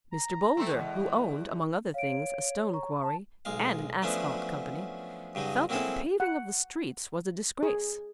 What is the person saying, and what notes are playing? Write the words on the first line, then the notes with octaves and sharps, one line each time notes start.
Mr. Boulder, who owned, among other things, a stone quarry and an asphalt company, felt that the paving of the streets was a disgrace.
A#5
A3 C4
E2 G#3
C#5 F5 D7
A#5 C#6
A5
B1 G#3 F5
F3 F#3 A3 B3 C#4 D4
G2 C#3 F#3 D#4
F#3 A#3 C4 E4 G#4 A4
F#5
G#4